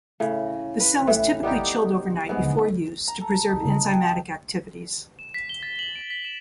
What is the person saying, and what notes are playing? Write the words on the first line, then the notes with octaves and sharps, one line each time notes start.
The cell is typically chilled overnight before use to preserve enzymatic activities.
A2 C#3
B4
A2 E3
G3 B3 D#4 G4
G#2 G#3 B3
A#5
A4
D#4
G5
E7
B6
G7
A6
F#7
D7
B6
E7